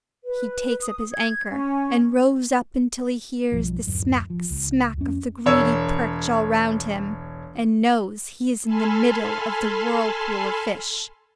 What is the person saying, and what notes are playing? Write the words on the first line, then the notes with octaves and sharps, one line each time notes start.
He takes up his anchor, and rows up until he hears the smack, smack of the greedy perch all round him, and knows he is in the middle of the whirlpool of fish.
B4
D#6
G#6
C#4
B1 G2 F3
D1 F#2
F3
C#2
F2 C#4
E1 C#5 E6
A4 G#5 A5 B5 C6 F6